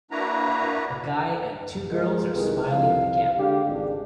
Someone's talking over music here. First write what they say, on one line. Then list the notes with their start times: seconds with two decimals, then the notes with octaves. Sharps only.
A guy and two girls are smiling at the camera.
0.11 A#3 D4 E4 F#4 B4 A#5
1.89 F3 G#3 A#4
2.33 C2 D#3 G#3 B4
2.68 C2 F2 F5
3.36 D3 G#3 G4
3.65 G#1 C#2 G#3 D4